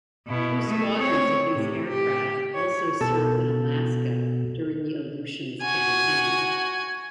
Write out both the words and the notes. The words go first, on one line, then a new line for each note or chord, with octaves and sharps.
Two squadrons of these aircraft also served in Alaska during the Aleutians campaign.
B2 E4
G#3 A3
C4 C#5
A2 C3
G4
C#5
B2 A4
F#4 G#5